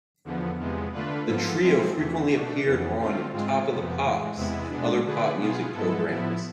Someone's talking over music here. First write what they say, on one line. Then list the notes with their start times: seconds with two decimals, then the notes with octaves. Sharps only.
The trio frequently appeared on "Top of the Pops" and other pop music programmes.
0.25 E2 D3 F3 B3
0.58 E2 C3 F3 G#3 B3
0.93 D3 A3 D4 F4 B4
1.27 G#2 F3 B3 F4 A4
1.61 F3 G#3 C4 E4
1.96 E2 C3 E3 A3
2.30 B2 A3 D4
2.65 F2 E3 B3
2.99 D3 A3 C4 F4
3.32 G#2 G#3 C4 F4
3.67 F2 C3 F3 B3
4.01 A2 E3 G#3
4.36 E2 C3 G#3 B3 E4
4.69 B2 G#3 B3 D4
5.05 D3 A3 D4 G#4 B4
5.39 B2 B3 F4 G#4
5.73 G#2 G#3 B3 E4 A4
6.07 A2 F3 B3 E4